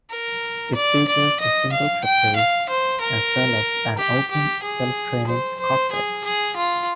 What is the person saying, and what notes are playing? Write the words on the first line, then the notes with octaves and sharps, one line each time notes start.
It features a single trapeze as well as an open, self-draining cockpit.
A#4
D5
D5
D#5
F5
G5
F5
C5
A#4
G4
G4
G#4
C5
C5
G#4
G#4
F4